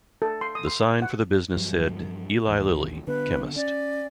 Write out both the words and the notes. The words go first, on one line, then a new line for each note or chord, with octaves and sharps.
The sign for the business said "Eli Lilly, Chemist".
A4
C6
D#6
C6
F#5
G2 F3 F#3
A1 D#2
D3 B3 B4
C#4 D5